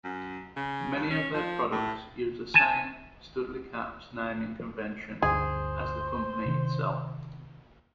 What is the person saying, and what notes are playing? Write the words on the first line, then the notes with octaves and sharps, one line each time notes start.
Many of their products used the same StudlyCaps naming convention as the company itself.
F#2
C#3
G2
C#4
F3
A2
G#5 A5
D2 G2 D3 G#4 C5
C3 D#3